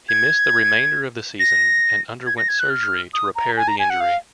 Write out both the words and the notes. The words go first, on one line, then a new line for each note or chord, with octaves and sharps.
He missed the remainder of the season and underwent surgery to repair the injury.
G#6
A#6
G#6
A#6
G#6
F#6
F6
D#6
A#5
G#5
A#5
G#5
F#5
F5